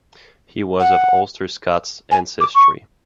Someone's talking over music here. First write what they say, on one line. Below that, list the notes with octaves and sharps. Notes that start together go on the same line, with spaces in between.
He was of Ulster Scots ancestry.
F#5
G#5
D6
C#6